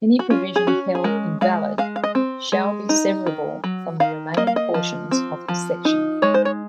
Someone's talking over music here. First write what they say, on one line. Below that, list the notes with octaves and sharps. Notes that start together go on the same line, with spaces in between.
Any provision held invalid shall be severable from the remaining portions of this section.
F#4
C#4 F4
G#4
C#4 F#4
G#4
G#3 A#4
G#3 F5
G#3 F5
F5
D#5
C4
G#3
D#4
D#3
F#3
D#3 F5
A#3 D#5
F5
D#5
F3
C4
F3
D#4
G#3 C#5
C5
C#5